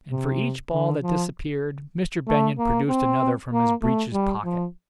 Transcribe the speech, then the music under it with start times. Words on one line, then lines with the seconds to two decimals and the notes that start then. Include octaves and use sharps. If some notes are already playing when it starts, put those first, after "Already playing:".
And for each ball that disappeared Mr. Benyon produced another from his breeches pocket.
0.11 C3
0.73 D3
1.03 F3
2.27 A3
2.58 A#3
2.89 C4
3.51 A#3
3.82 A3
4.12 G3
4.44 F3